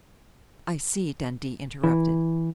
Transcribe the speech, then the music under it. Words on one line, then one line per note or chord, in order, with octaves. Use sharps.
"I see," Dundee interrupted.
E3